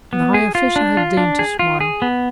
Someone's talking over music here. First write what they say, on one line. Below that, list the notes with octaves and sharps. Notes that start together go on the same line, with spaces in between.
And the high official had deigned to smile.
B3
G#4
F4
D4
F4
D4
G#4
F4
G#4
B3